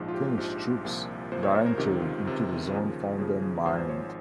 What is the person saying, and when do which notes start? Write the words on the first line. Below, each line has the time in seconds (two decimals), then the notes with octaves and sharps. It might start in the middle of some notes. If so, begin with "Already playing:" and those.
Finnish troops that entered into the zone found them mined.
Already playing: A#1 G#2 F3
0.08 F4
0.14 G4
0.37 A#1 G#2 F3
0.84 C2 A#2 F3
1.31 C2 A#2 F3 C5
1.43 C#5
1.55 C5
1.66 A#4
1.78 C#2 C3 D#3 G4
2.02 F4
2.25 C#2 C3 D#3
2.72 D#2 C#3 F3
3.19 D#2 C#3 F3 G#4
3.42 G#4
3.66 G#1 G#2 F3 C5
3.78 C5
3.89 C#5